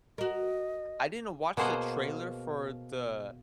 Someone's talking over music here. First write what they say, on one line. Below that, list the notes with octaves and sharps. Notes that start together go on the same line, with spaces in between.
I didn't watch the trailer for the
F#4 A#4 D#5
B2 A#3 G#4 C5 F#5 A5